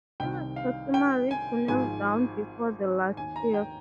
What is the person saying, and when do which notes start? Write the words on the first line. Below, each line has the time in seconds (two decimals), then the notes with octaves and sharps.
It was customary to kneel down before the last sheaf.
0.20 C2 C3 D#3 G5
0.56 F5
0.94 G5
1.31 G#5
1.68 G#1 G#2 F3 G#5
3.17 D#2 D#3 G#5
3.36 A#5
3.54 G5